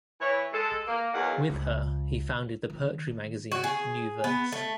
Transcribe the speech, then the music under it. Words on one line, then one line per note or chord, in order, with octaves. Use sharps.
With her, he founded the poetry magazine "New Verse".
E3 E4 C#5
G#3 A4
A#3
E2 D#3 F#3 F5 F#5
C#2
D#3
D#3
F#4
G#4
B3
A3